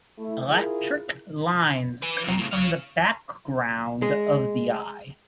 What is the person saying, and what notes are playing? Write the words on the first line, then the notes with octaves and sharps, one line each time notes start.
Electric lines come from the background of the eye.
A3 E4
E4 F4 G#4 A#4
B4 G#5
F2 C3
A2 C#3
C#5 F5
G#3